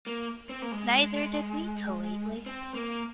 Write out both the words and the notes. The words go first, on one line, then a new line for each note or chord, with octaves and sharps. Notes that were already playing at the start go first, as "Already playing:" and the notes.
Neither did we till lately.
A#3
C4
A#3
G#3
C4
A#3